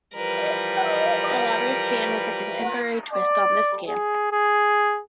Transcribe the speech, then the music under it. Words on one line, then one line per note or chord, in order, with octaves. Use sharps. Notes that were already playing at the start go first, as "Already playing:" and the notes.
The lottery scam is a contemporary twist on this scam.
E3 F3 G3 A#4 B4
D5
G#4
G#4